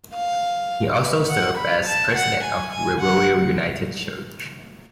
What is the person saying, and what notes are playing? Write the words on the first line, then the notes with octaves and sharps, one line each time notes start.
He also served as president of Riverview United Church.
F5
B4
F#5
B5
A5
F#5
G#5
G#5
F#5